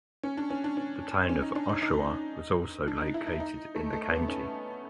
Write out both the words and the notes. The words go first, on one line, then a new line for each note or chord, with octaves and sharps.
The Town of Oshawa was also located in the county.
C#4
D4
C#4
D4
C#4
C#4
D#4
D4
D#4
D#4
D4
D#4
E4
D#4
D#4
A3
A3
B3
C#4